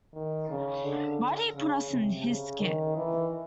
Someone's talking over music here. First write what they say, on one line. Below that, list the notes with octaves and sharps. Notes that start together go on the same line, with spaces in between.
Why'd he put us in his skit?
D#3
C#3
D3
C#3
C3
C#3
D#3
E3